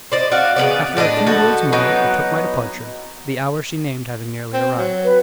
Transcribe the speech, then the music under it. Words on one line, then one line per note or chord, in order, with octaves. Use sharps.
After a few words more, I took my departure, the hour she named having nearly arrived.
C5 D5 D#5
F#4 D5 D#5 F5
C#3 G3 B3 D5
A2 D4 G#4 D#5
F3 F#4 A4 B4
E3 F#3 B3 D#4
C4
F#3
B4